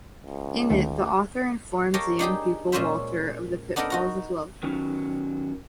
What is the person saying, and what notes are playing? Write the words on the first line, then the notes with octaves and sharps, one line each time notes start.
In it, the author informs a young pupil, Walter, of the pitfalls of love.
C#2
D2 D#3 A3
G4 A4 A#4 C#5 D#5 F5
D4 D#4 G4 G#4
A#2 G#3 C#4 F4 C5 E5
B3 D4 D#4 A4 A#4
D#4 F#4 A#5
D#3 F#3 C#4